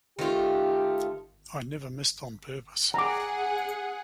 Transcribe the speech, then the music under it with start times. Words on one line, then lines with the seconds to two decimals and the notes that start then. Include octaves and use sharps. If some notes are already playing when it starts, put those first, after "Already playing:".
I never missed on purpose.
0.19 D#3 A3 F4 G4
2.94 G#4 F#5 A#5 D6